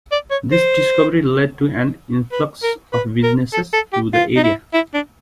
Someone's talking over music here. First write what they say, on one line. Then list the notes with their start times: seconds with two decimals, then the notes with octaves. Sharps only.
This discovery led to an influx of businesses to the area.
0.12 D5
0.31 C#5
0.52 C5
2.32 B4
2.63 A#4
2.93 B4
3.23 A#4
3.53 A4
3.73 A4
3.93 G4
4.14 F4
4.37 D#4
4.44 E4
4.74 E4
4.94 D4